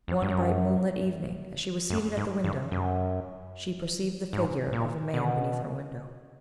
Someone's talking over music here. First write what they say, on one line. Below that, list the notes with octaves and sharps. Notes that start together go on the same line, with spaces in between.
One bright moonlight evening as she was seated at the window, she perceived the figure of a man beneath her window.
F2
G2
F#2
F#2
G#2
G2
F#2
G#2
A#2
B2